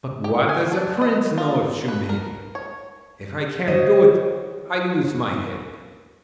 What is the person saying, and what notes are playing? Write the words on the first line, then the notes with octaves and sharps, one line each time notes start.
But what does a prince know of shoemaking? If I can't do it, I lose my head.'
G4
G#5
D4
D#5
F4
B4
A#4
C#5
F#4 C5 C#5 D#5